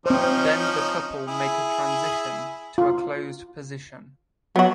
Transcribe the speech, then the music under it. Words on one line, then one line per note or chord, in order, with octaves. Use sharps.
Then the couple makes a transition to a closed position.
F3 C4 C#4 D#4 C5
E4 G#4
F4
F#3 B3 F#4